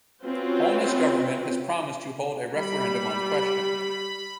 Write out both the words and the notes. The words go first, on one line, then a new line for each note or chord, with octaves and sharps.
Holness's government has promised to hold a referendum on the question.
C4 C#4 F4 F#4 B4 C5
G3 B5